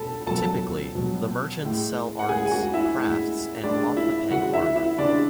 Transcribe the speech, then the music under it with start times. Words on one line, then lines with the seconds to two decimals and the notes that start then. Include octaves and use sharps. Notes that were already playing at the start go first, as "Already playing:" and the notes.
Typically, the merchants sell arts, crafts and off the peg armour.
Already playing: B2 A4 A5 B5
0.27 B2 F#3 A4 A5
0.95 B2 F#3
1.62 A2 G#3
2.19 F#5
2.29 A2 G#3 G#4 G#5
2.46 G#5
2.52 F#4 F#5
2.74 E4 E5
2.96 A2 G#3
3.64 A2 G#3 D4 D5
3.97 E4 E5
4.31 C#3 G#3 F#4 F#5
4.53 E4 E5
4.76 E4 E5
4.98 C#3 G#3 D4 D5